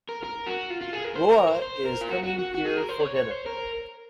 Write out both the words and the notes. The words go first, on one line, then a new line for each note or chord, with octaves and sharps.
Lara is coming here for dinner.
A#4
A#4
F#4
F4
F4
G#4
A#4
C5
A#4
C5
C5
A#4
F4
F#4
F#4
F#4
F#4
G#4
A#4
C5
C#5
C#5
C5
A#4